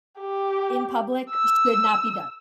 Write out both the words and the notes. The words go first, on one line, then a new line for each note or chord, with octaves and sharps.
in public should not be done.
G4
E6